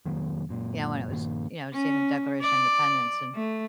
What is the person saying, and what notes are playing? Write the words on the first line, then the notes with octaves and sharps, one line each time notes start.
you know, when it was you know, seeing the Declaration of Independence and
F1 D#3 F#3 A#3
F#2 A#2
G2 A#2 D#3 A#3
C#4
D5
A3